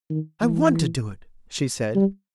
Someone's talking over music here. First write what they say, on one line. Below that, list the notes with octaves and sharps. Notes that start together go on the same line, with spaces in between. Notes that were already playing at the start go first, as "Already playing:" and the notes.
"I want to do it," she said.
D#3
E3
G3